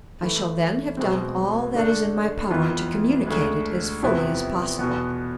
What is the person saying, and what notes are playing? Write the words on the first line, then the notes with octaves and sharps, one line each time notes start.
I shall then have done all that is in my power to communicate it as fully as possible.
E3 A3 E4
B2 G#3 C4
D3 A3 D4 A4
F2 E3 B3 F4
D2 D3 G#3
E2 C3 F3 B3 E4
E2 B2 B3